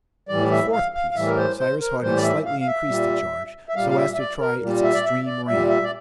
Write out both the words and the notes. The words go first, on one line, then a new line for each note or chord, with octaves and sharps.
For the fourth piece Cyrus Harding slightly increased the charge, so as to try its extreme range.
A2 E3 G3 D5
E5
F5
F5
F5
A2 E3 G3 E5
A#4
C5
C5
A#4
A2 E3 G3 C5
D5
E5
F5
F5
E5
A#2 G3
E5
A#2 G3 F5
F5
E5
E5
D5
A#4
A#2 G3
E5
D5
E5
D5
A#2 G3 E5
E5
D5